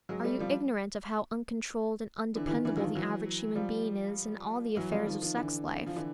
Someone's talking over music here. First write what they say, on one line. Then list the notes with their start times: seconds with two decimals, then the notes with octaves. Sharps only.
Are you ignorant of how uncontrolled and undependable the average human being is in all the affairs of sex life?
0.09 F#3 G#3
0.24 G3 A3
0.40 F3 G3
2.35 D3 E3
2.47 E3
2.51 D#3
2.65 D3 E3
2.77 F#3
2.80 D#3 F3
2.95 E3 F#3
3.55 F3 G3
4.76 E3 F#3
4.92 F3 G3
5.06 D#3 F3
5.22 D#3 F3
5.37 D3 E3
5.86 F3
5.96 D3 E3